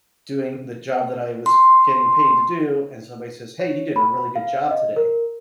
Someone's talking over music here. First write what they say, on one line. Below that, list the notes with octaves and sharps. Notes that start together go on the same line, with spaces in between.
doing the job that I was getting paid to do and somebody says, "Hey, you did a really good job today,"
C6
C#5
B5
F5
D#5
A#4